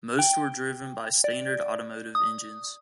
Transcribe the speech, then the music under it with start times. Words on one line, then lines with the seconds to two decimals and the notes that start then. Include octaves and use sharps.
Most were driven by standard automotive engines.
0.19 G5
1.24 D5
2.15 D#6